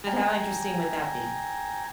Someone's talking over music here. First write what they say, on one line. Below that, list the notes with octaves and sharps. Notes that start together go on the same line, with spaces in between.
But how interesting would that be?
G5 G#5 A#5